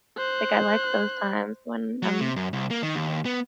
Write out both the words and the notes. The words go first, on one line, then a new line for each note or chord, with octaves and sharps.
Like, I like those times when I'm
C5 F#6
F#3
C3
F#2
C2
A#3
D#3
D#2
B3